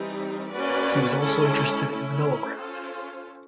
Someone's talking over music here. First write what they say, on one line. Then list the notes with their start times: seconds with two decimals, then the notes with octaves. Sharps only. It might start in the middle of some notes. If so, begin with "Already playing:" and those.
He was also interested in the melograph.
Already playing: E3 G3 C4 D#4 G4
0.52 A#3 C#4 F#4 B4 D5
1.20 G#3 C#4 E4 A4
1.88 A3 C#4 E4
2.56 C#4 F4 A4 C5